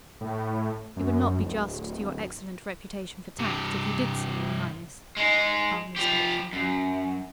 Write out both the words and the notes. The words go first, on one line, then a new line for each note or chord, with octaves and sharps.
"It would not be just to your excellent reputation for tact if you did so, your highness," calmly spoke the man.
A2
F#2
D1
G2 C3
G#3 D#4
F3 G4
F#2